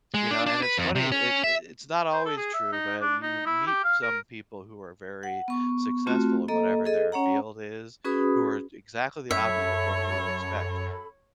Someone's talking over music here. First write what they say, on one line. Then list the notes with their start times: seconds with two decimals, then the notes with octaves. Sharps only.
You know, and it's funny, it i it's not always true, but you meet some people who are very successful in whatever their field is, who are exactly the opposite of what you would expect.
0.14 G#3
0.31 D4
0.46 D4
0.62 B4
0.78 F2
0.95 C3
1.12 C#4
1.44 E5
2.13 C5
2.26 A4
2.37 G#4
2.54 E5
2.73 D#4
3.01 D4
3.23 D#4
3.46 E4
3.67 G4
3.84 F5
4.03 A#4
5.23 F#5
5.48 B3 C#6
6.07 A3 C4 F4 F#4
6.48 A#3 A4 D#5 A#5
6.85 G#4 A4 D#5
7.12 C#4 C#5 F#5 A#5
8.05 C#4 F#4 G#4 B4 B5 D#6
9.31 F#2 A4 C#5 E5 B5